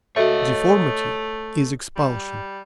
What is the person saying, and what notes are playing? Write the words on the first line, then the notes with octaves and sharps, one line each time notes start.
Deformity is expulsion.
A3 F#4 A4 C#5 D#5 E5
G3